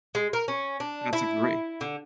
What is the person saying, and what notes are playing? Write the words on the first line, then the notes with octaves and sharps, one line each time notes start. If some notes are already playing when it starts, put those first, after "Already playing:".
That's a grea
G#3
A#4
C#4
D4
E4
D3